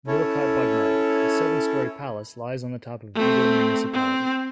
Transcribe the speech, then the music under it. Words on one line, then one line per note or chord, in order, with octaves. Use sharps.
Nuwakot, Bagmati : A seven storey palace lies on the top of Bidur Municipality.
C#4 E4 A4 C#5
A3 C4
C4